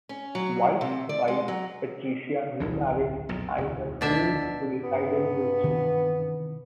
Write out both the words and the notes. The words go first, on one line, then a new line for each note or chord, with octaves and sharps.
White's wife Patricia remarried and continued to reside in Houston.
C#4
F#3
C3
D5
G#3
F#3
D1 B1 E3
B1 F2 A#2
E1 D2
B2 D4 E5
G2 B3
C3 D#3 E3